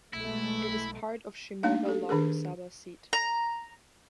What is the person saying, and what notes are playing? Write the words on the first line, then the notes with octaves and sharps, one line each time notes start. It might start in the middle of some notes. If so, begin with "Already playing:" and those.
It is part of Shimoga Lok Sabha seat.
B1 G#3 A3 E4
A3 A#3 D4 D#4 F5
G4 A4
D#3 D4 G#4 A#4
A#5